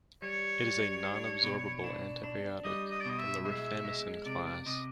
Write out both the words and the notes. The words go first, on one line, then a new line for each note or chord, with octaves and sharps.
It is a nonabsorbable antibiotic from the rifamycin class.
G3 C#5
G3
D4
B2
D4
D4
G3 D#5
D#5
D5
B2 D#5
E5
G#3 E5
G#3
C3 D5
D5
C3 D#5